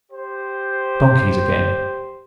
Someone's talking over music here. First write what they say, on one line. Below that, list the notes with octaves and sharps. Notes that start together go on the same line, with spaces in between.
Donkeys again.
G4 C5